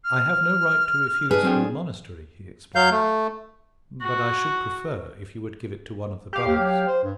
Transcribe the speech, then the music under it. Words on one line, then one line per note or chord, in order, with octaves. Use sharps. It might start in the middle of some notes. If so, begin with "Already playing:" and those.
"I have no right to refuse for the monastery," he explained, "but I should prefer if you would give it to one of the brothers."
F6
D4 G#4 B4
F#3 C4 G5
F#3 F5 G6
A3
F#4
G4 F5
D#2
F#3
C5
G2